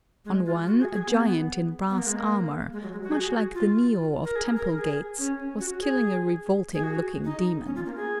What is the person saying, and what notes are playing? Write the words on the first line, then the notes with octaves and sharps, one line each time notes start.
On one a giant in brass armour, much like the Nio of temple gates, was killing a revolting-looking demon.
G#3
F4
F#4
G#4
G#4
B3
B3
A#3
G#3
A#3
G#3
F#3
G#3
F#4
G#4
F#4
F4
A#4
G#4
A#4
G#4
C#4
F#4
G#4
G#4
F#4
D#4
C#4
F4
A#3
G#4